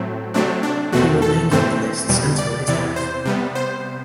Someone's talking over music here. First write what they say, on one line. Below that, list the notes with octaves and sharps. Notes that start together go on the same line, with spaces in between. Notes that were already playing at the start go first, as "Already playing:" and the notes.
He remained on the lists until his death.
Already playing: A2 F#3 A3 C4
C3 F#3 A3 C4 D4
D4
E2 B2 A3 C4 F#4
A4
G2 E3 A3 C4 C5
E2 B2 G3
D5
E2 C3 E3 D5
C5
C3 G3 B3
C5